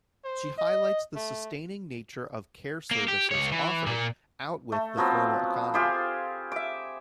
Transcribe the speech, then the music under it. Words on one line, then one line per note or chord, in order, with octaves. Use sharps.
She highlights the sustaining nature of care services offered outwith the formal economy.
C5
D#5
A3
A#3
G4
C#2 C#5
E3
A#2 A#3
A3
F3 F#3 B3 C4
F4 G4 G#4 C5
E5 D6